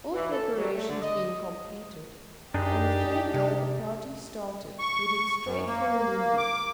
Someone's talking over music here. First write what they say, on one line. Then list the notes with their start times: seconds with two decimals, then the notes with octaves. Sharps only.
All preparations being completed, on the third day the party started, heading straight for Ulundi.
0.13 E3
0.32 A4
0.56 F#3
0.73 A3
0.89 D3
1.02 D#5
2.54 F#2 D4 D#4 G4 G#4
3.34 C3
4.79 C#6
5.44 F#2
5.67 A#3
6.38 D6